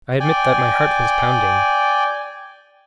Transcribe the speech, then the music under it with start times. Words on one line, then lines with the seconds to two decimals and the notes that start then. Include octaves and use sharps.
I admit that my heart was pounding.
0.20 D5 G5 G#5